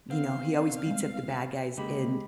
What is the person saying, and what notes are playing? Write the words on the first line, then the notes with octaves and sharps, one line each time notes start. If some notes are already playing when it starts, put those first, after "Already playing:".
you know, he always beats up the bad guys in
B3 C4 F5
G3 G#3
C#3 G#3 A#3 G4 B5